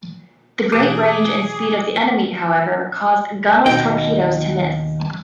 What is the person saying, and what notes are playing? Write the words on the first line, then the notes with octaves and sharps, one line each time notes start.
The great range and speed of the enemy, however, caused "Gunnel"'s torpedoes to miss.
B2 E3 A3 G4 G#4 D6 F#6 D#7
D#2 B2 D#4 G5